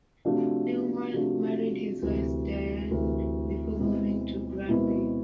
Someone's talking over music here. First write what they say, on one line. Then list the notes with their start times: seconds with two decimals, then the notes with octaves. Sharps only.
Neumann married his wife Diane before moving to Granby.
0.25 C3 F3 A3 D4 F#4
1.14 C3 F3 A3 D4 F#4
2.02 D2 C3 E3
2.91 D2 C3 E3
3.79 B2 G#3 C4 E4
4.68 B2 G#3 C4 E4